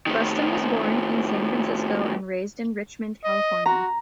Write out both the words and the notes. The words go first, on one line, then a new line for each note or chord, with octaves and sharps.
Buston was born in San Francisco and raised in Richmond, California.
A2 D#3
D#5
F#4 A#5